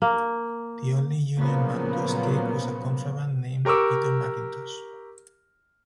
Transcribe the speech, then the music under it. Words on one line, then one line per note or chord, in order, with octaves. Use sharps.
The only Union man to escape was a "contraband" named Peter McIntosh.
A#3
A#2 C#3 F3 F#3 A#3 B3
G4 A#4 C#6 D6 E6